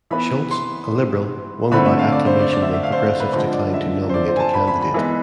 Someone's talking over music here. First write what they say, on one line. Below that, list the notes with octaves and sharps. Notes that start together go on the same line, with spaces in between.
Schultz, a Liberal, won by acclamation when the Progressives declined to nominate a candidate.
E3 B3 B5
C6
D3 A3 C4 B5
E5
F5
D5
C5
D5
D5
E5
E5
F5
C5
C5
B4
D3 F3 G#3 C5
D5
E5
C5
D5
C5
G#5
A5
B5
B5
B5
E3 G#3 B3